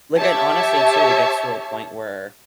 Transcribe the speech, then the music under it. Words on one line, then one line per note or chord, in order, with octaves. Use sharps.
like, and, honestly, too, it gets to a point where
G4 C#5 E5 A5